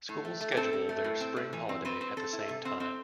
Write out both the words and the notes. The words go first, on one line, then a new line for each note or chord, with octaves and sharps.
Schools schedule their spring holiday at the same time.
A2
A3
A3
G4
C4 A4
C4
A3
A2
C4
A2
E3
C4
C4 B4
C4
C4 A4
E4
C3
C4
C4